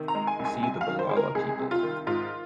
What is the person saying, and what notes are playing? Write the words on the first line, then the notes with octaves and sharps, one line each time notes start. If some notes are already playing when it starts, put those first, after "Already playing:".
See the Bulala people.
Already playing: C3 D#3
A#5
G#3
G#5
C2
G#5
C3 G#5
F5
D#3
C5
G#3 G#4
A#4
C2 G#4
C3
F4
D#3
G#2 F4